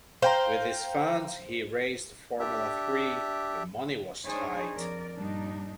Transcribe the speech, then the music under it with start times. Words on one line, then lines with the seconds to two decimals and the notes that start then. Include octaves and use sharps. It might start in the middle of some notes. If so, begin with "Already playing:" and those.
With these funds, he raced Formula Three, but money was tight.
0.22 C5 F5 G5 A#5
2.39 D4 G4 E5
4.26 D4 D#4 G#4 C5 C#5
4.75 F2 A#4 D5
5.16 G2 A#2 G3 D4 D#4